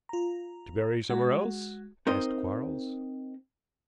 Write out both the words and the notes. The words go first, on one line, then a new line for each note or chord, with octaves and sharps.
"To bury somewhere else?" asked Quarles.
F4 A#5
G#3 F#4
C4 D#4 A#4 C5 D#5